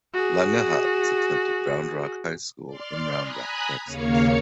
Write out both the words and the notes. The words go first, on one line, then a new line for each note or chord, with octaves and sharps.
Langerhans attended Round Rock High School in Round Rock, Texas.
F#4 G#4
D5 C6 F6
G#5 A#5 B5 D#6 F#6
D#2 C#3 A#3 C#5 F5 C#7